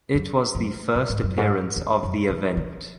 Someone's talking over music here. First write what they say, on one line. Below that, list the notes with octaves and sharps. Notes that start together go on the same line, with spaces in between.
It was the first appearance of the event.
F#2
F#2
A2
G#2
F#2
G#2
E2
F#2
C#3
D3